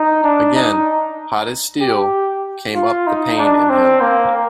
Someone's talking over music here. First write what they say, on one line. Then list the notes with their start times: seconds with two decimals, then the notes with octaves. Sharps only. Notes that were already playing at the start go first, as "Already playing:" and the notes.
Again, hot as steel, came up the pain in him.
Already playing: D#4
0.24 D4
0.55 D#4
1.81 G4
2.75 F4
3.07 D#4
3.38 D4
3.70 C4
4.01 A#3